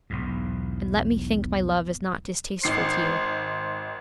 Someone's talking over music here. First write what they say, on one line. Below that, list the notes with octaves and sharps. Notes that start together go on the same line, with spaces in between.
And let me think my love is not distasteful to you.
B1 E2 G#2
G#1 C5 C7